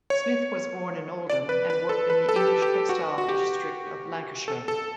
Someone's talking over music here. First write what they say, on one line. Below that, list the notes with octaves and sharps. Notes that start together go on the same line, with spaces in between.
Smith was born in Oldham and worked in the English textile district of Lancashire.
C#5
D5
B4
B4
A4
B4
A4
G4
G4
F#4
F#4
G4
A4
A4